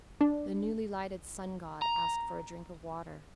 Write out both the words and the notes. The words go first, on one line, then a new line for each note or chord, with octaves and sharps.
The newly lighted sun-god asked for a drink of water.
D4
A#5